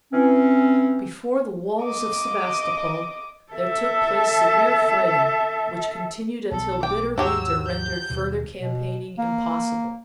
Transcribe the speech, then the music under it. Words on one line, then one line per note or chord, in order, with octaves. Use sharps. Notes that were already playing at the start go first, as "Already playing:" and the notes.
Before the walls of Sebastopol there took place severe fighting, which continued until bitter winter rendered further campaigning impossible.
E3 C4 C#4
D#5 D6
A4 E5
B1 A4
G5 D6
D#2 G#2 F#3 G4 C#5 E6
G6
D#2 B2
B2
A#3